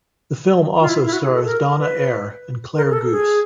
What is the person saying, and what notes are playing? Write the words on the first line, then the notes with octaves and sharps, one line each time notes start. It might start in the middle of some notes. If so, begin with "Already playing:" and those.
The film also stars Donna Air and Claire Goose.
F4
E4
E4
F#4
G#4
A4
A#4
B4
A#4
G#4
A4
G#4